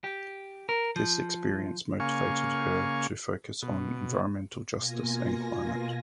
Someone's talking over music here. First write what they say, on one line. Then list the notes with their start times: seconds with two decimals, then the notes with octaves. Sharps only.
This experience motivated her to focus on environmental justice and climate.
0.04 G4
0.69 A#4
0.96 F3
2.00 C#3 A#3 F5 G#5 C#6
3.62 B2
4.75 B2 A#3 F4 G#5 A#6